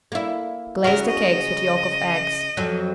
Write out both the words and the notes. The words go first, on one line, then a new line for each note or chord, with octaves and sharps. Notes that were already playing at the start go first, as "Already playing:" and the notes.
Glaze the cakes with yolk of eggs.
A#3 E4
C#3 E4 F#4 A#4
D#5
F2 F#3